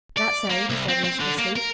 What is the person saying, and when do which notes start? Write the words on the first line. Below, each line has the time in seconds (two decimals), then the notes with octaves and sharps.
"That so?" he said listlessly.
0.17 D5
0.50 A#3
0.70 C2
0.89 C4
1.04 C4
1.20 D3
1.38 A#3
1.56 A#4